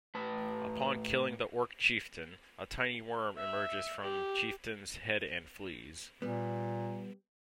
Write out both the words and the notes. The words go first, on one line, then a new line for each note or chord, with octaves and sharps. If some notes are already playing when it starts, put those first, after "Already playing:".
Upon killing the Orc chieftain, a tiny worm emerges from chieftain's head and flees.
A2 B4 A5
E5
G4
A#2 G3 B3